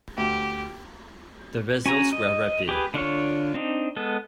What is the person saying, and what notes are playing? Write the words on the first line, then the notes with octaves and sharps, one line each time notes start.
The results were rapid.
D2 G4
C#4 F#4 G#5 A#5
D#5
G4 G#4 B4
D3 D4 F4 C#5
C4 D4 D#4
G#3 B3 A4